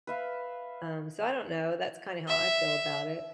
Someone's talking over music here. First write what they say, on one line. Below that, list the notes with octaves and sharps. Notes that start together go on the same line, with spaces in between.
Um, so, I don't know, that's kind of how I feel about it,
B4 E5 F5
E5